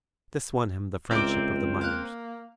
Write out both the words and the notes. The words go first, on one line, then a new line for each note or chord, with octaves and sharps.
This won him the friendship of the miners.
C#2 C4 A#4 D5 E5 D6
A#3 F5 F#6